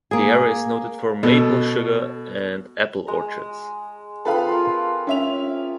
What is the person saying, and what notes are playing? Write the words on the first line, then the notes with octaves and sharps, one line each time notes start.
The area is noted for maple sugar and apple orchards.
A#3 G#4
B2 A4
G#3 A#5
C4 F4 G#4 A4 B4 F5
F4 A#4
C#4 E5 F7